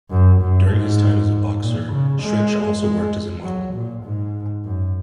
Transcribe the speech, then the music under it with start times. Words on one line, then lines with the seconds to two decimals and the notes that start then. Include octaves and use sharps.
During his time as a boxer, Stretch also worked as a model.
0.10 F#2
0.41 F#2
0.70 G#2
1.62 A#2
1.92 C#3
2.22 G#3
2.82 G#3
3.43 F#3
3.74 A#2
4.03 G#2
4.65 F#2